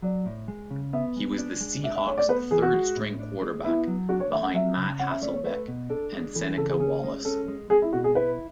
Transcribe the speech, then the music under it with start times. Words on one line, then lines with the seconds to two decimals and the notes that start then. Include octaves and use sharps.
He was the Seahawks' third-string quarterback behind Matt Hasselbeck and Seneca Wallace.
0.02 F#3 D5
0.26 A2
0.48 G#3
0.71 C#3
0.93 B3 E5
1.16 G#3
1.38 D4
1.61 G#3
1.83 D4 E5
1.96 E5
2.06 A3 C#5
2.18 D5
2.28 B3 B4
2.51 E3 G#4
2.62 F#4
2.73 G#3
2.96 A2
3.19 D4
3.42 G#3
3.64 B3 E4
3.87 F#3
4.09 D4 F#4
4.20 C#5
4.32 A3 E5
4.43 F#5
4.54 F#3 E5
4.77 C#3
4.99 C#4 F#5
5.10 E5
5.22 A3 D5
5.33 C#5
5.44 A3 B4
5.68 B2
5.90 D4 A4
6.13 G#3
6.35 E3 A4
6.57 C#3 A4
6.70 G#4
6.80 C#4 G#4
7.03 G#3
7.25 C#4 A4
7.48 G#3
7.70 G#3 G#4
7.82 E4
7.93 B2 F#4
8.04 G#4
8.15 E4 B4